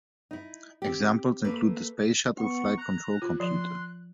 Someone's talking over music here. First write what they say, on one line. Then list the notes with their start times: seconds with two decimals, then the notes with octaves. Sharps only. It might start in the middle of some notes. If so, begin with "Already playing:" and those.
Examples include the Space Shuttle flight control computer.
0.31 D#4 E4
0.82 C4 G4
1.45 A3 A#3 B4
2.38 B3 C#6
2.78 A#5 F#6
3.22 F4
3.40 F3 C6